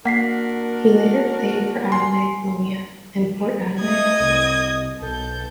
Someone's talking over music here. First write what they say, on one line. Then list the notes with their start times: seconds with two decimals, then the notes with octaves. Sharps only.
He later played for Adelaide Polonia and Port Adelaide.
0.05 A#3 D4 F#4 A#4 F#5 B6 C7
1.92 G#5 C6
3.80 A3 D#5 D#6 G#6
4.19 C2
5.01 B1 A4 G6